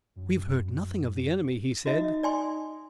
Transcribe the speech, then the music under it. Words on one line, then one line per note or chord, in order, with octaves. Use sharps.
"We have heard nothing of the enemy," he said.
F#2
D#4 F#4 D#5 E5
D5 G#5 C6